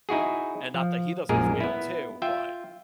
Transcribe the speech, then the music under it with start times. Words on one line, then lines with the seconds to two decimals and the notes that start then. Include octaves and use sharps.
and not that he doesn't fail too, but
0.09 D#4 E4 F#4 G#4
0.74 F3
1.29 A#1 F#2 A#2 G#3 G#4 A#4
1.60 B3 E4
2.22 F4 E5 G5